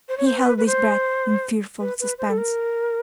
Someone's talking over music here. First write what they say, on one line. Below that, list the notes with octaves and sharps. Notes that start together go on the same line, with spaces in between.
He held his breath in fearful suspense.
C5
C#5
C5
B4
B4
C5
B4
B4
C5
A4
A#4